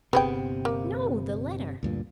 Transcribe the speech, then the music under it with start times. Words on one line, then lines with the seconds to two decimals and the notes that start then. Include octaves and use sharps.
"No; the letter."
0.13 G1 C3 B3 G#4 G5
0.65 A#3
1.83 D2 G2 A#2